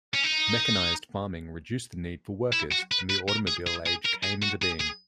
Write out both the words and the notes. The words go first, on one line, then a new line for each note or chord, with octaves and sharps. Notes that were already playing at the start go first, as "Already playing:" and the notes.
Mechanized farming reduced the need for workers, and the automobile age came into being.
C#4
D#4
E4
F#4
B4
B4
A#4
G#4
G#4
G#4
A#4
G#4
F#4
G#4
G#4